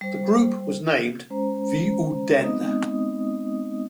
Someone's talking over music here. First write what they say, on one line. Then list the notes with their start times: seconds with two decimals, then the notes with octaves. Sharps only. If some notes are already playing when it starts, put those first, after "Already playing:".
The group was named "V-u-den".
0.01 G3 C5
1.30 G#3 C#4 C5 A#5
2.44 G#3 B3 C4 D#4 D#5 D#6